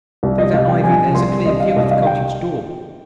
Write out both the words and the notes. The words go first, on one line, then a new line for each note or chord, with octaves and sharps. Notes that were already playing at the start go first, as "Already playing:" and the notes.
"Through that ivy there's a clear view of the cottage door."
C2
D#5
C2 F5
G5
F3 G#5
C2 C6
C2 D#5
F5
C2 D#5
F5
G5